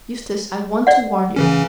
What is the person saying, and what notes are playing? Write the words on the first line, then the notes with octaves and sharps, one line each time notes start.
Eustace, I want to warn you.
D5 F#5
C#3 E3 C#4